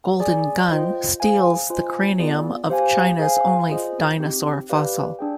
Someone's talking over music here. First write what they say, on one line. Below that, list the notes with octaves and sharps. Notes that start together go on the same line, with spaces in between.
Golden Gun steals the cranium of China's only dinosaur fossil.
G#4 D5 G#5
F4 C5 D#5 G5
G#4 C5 F5 G#5
F4 C5 D#5 G#5
B3 F4 G#4 D5
G4 C5 F5 G#5
G#4 C5 F5 G#5
F4 G#4 C5 D#5
C4 D#4 G4
G4 B4 D5 F5
D4 G#4 D5 G5